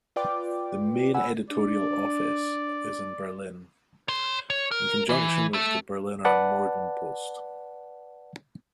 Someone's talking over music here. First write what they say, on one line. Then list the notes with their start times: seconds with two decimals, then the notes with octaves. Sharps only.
The main editorial office is in Berlin, in conjunction with the "Berliner Morgenpost".
0.16 F4 B4 D5 G5 D6
1.14 F#5 G#5 B5 E6
1.50 D4 D5
4.08 C#5 C6
4.50 C#5
4.71 A#4
5.09 E3
5.54 A4 E5
6.25 B4 D5 F#5 A5